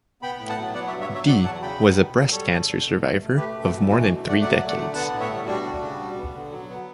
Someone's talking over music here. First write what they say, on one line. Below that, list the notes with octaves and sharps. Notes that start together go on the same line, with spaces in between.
Dee was a breast cancer survivor of more than three decades.
B3 G5 B5
A2
F#5 A5
F#3
B3 D5 F#5
C#5 E5
G2
C#5 E5
F#3
C#5 E5
F#3 D5 F#5
E2 F#5 A5
C#3 G5 B5
B3
B2
F#3
G3 A4 C#5
E2
D3
B2
A3
A3
A3 G4 B4
F#2
F#4 A4
E3
B2 D4 F#4
D4 F#4
A3
A3 D5 F#5
F#3 D5 F#5
A3
D5 F#5
D3
B3 F#5 A5
A2
C#5 E5
G3
G3 D4 F#4
D2
C#3
G3
B3
D3
F#3
B3